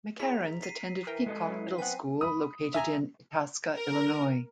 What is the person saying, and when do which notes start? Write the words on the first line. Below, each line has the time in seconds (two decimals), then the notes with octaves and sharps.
McCareins attended Peacock Middle School located in Itasca, Illinois.
0.19 E4 G#4 C#5 A#5 B6
0.62 B6 C7 D#7
1.07 E3 A#4 G5
1.26 G#3 A4 D#5
1.48 E3 F#3 C#4 E4
1.79 C4 B4 F#5 G#5
2.21 B5 D#6
2.74 E5 G#5 A#5
3.74 A#4